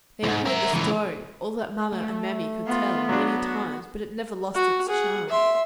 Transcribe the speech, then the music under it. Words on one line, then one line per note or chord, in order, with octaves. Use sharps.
They had heard the story--all that mamma and mammy could tell--many times, but it never lost its charm.
E2 G#2
A#4 E5
C#2 E3
A3
B3 F4
F#3 D4
F#4
F#4
G#4 F#5
E5 C6